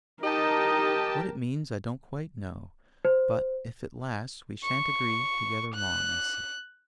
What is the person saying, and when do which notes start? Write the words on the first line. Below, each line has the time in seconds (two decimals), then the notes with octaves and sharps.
'What it means I don't quite know; but, if it lasts, we shan't agree together long I see.
0.23 D#4 G4 A#4 D#5 G5 A5
3.05 C5
4.64 C#6
5.75 F#6